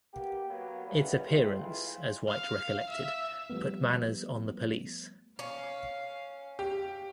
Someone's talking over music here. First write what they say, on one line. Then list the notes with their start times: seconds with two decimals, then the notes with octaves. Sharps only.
Its appearance, as White recollected, "put manners on the police".
0.14 A#3 B3 G4
0.50 F#3 A#3 B3
0.86 D#2 E3 F#3 G3 B3
1.25 G3 A3 C4 F4
1.60 E3 G#3 E4 F4
2.27 F5
2.89 E5
3.50 F3 G3 A3 B3
5.39 C#4 F5
6.59 G4